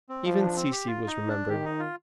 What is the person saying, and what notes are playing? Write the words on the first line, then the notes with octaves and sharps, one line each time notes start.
Even Cecy was remembered.
C4
F3
D4
C4
G4
F4
D#4
D4
D#3 G4
D#4
F4